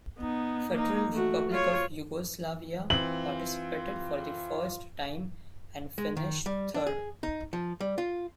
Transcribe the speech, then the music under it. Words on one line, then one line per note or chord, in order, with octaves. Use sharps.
Federal Republic of Yugoslavia participated for the first time and finished third.
B3 D#4
A#3 D#4
A3 F#4
F4 C#5
E3 C4 F4 F#7
G#3
D#3
G3
D4
G#4
D#4
F3
G3
F4